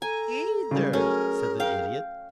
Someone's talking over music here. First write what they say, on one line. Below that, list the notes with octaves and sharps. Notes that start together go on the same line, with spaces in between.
"Either," said the Idiot.
A4 G#5 A#5
C#3 G3 G#3
F#3 A3 C#4 G#4 A#4
F5 G5